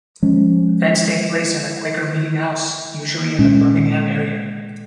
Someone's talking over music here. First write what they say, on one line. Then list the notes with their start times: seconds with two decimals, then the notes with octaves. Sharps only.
Events take place in a Quaker Meeting House, usually in the Birmingham area.
0.23 F3 G#3 C#4
3.39 A#2 G#3 C#4